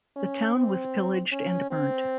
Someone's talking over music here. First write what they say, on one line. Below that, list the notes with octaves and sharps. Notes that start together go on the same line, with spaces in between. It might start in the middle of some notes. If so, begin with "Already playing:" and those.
The town was pillaged and burnt.
C#4
C4
C#4
C4